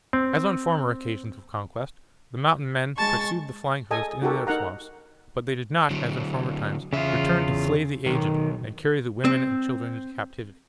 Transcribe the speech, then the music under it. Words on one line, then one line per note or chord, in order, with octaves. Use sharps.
As on former occasions of conquest, the Mountain-men pursued the flying host into their swamps, but they did not, as in former times, return to slay the aged and carry the women and children into captivity.
C4
G#3 A5 C#6 A6
G#4 A4 D#5 G#5
D#4 F#4 G4 A4 A#4
D#4 A#4 F#5 A#5
D3 F#3
E2 C#3 F4 E5
B1 D#3
C4